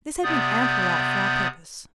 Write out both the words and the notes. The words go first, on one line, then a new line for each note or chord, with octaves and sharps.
This had been ample light for our purpose.
C3 B3 D5 D#6 G6